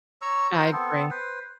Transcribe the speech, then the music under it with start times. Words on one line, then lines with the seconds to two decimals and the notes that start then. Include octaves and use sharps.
I agree.
0.22 C#5 A#5 C#6 E6
0.55 F4 A#4 C5 F#5
0.72 B3 C4 A4
1.10 B4 C5